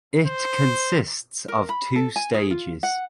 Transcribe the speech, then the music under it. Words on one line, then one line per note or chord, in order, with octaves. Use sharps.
It consists of two stages.
C5
A#4
B5
A4
G#5
G#4
F4
F#5